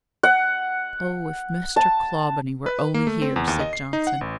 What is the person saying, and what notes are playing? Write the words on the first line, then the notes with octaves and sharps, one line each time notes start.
"Oh, if Mr. Clawbonny were only here!" said Johnson.
F#5
A5
B4
A#3
A3
C4
E2
D#2
D#5
C7
D#4
F#5
A1